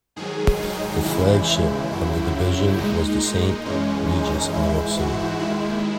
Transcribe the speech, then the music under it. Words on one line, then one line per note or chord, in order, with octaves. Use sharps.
The flagship of the division was The Saint Regis in New York City.
G#2 D#3 F#3 G#4
D#4
D#2 C#3 E3 G#3 E4
F#2 C#3 F#3
A#2 G#3 D#4
D#4
F#2 E3 G#3 C#4
D#4
G#2 E3 G#3 E4
F#4
D#2 D#3 G#3 E4